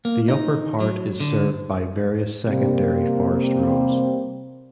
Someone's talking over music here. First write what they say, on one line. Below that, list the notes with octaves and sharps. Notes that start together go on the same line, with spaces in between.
The upper part is served by various secondary forest roads.
A#3
D#4
F#3
D3
C3 G3 A#3 C4